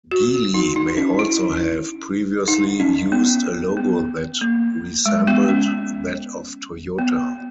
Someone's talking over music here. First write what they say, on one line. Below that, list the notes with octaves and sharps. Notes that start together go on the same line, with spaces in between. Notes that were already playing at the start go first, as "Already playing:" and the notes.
Geely may also have previously used a logo that resembled that of Toyota.
F#4
D#4
D#4
C#4
E4
D#4
C#4
B3
B3
A#3
G#3
B3
C#4
B3